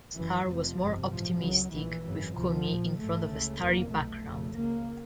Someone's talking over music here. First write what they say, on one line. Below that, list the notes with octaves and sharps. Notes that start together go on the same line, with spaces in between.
"Star" was more optimistic, with Kumi in front of a starry background.
F#1 F#2 C#3 E3
F1 F2 C3 F3
G1 F2 C3
A1 G2 F3
C#2 C#3 F#3
A#1 A#2 E3
G#1 F#2 C#3
D2 C3 F3
A#1 A#2
A#1 G#2 A3
C#2 C#3
F1 E2 C3 A#3
B1 B2 A3
F1 F2 C#3
C#2 C#3 A#3